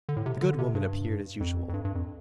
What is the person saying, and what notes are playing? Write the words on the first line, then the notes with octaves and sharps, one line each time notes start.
The good woman appeared as usual.
D3
A2
C3
D3
C3
G2
F2
F2
G2
G2
F2